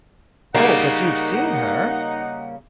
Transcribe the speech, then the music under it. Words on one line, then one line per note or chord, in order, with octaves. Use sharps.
"Oh, but you've seen her."
C#3 G3 A#3 D#4 F#5